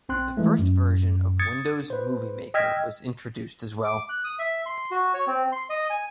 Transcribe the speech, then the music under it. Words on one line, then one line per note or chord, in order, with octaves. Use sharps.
The first version of Windows Movie Maker was introduced as well.
B1 C4 C6 F#6
E3 G#3 A3
F#2
D#6 G#6 A6 C#7
B4 C5
D#5 G5 E6 F6 G#6 B6
D6
F#6
D#6
E5
C6
F#4
C#5
C4
C6
D#5
G#5